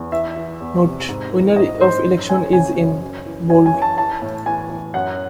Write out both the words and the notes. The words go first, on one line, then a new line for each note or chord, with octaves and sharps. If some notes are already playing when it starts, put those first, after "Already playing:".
"Note: Winner of election is in" bold.
Already playing: E2
E3 E5
E3
E2
C3
G#2
E3
G#2 D#5
G#2 C5
F#2
F#2 G#5
C#3 G#5
F#2
F#2
E3
F#2 G#5
G#5
E3
A5
E3 A5
A2
E3 G#5
E3
F#2 F#5